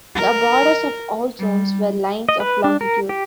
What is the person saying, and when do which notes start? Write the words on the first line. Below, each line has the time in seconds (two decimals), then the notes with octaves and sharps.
The borders of all zones were lines of longitude.
0.15 A#4
1.38 G3
2.29 D#5
2.40 B4
2.64 D4
2.81 A#4
3.09 G4